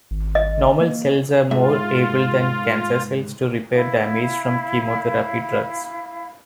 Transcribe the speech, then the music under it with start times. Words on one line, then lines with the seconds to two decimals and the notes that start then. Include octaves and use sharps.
Normal cells are more able than cancer cells to repair damage from chemotherapy drugs.
0.11 G#1
0.35 D#5
0.81 A#3
1.51 G#2 F4 E5
3.73 E4 F5